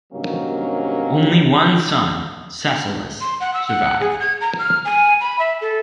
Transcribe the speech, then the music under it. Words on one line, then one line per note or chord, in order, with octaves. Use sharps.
Only one son, Thessalus, survived.
G2 C3 D#3 F#3 A#3 C#4
C6
F#5
E6
F#5
G#4
G#6
A#5
F6
G#5
B5
E5
A4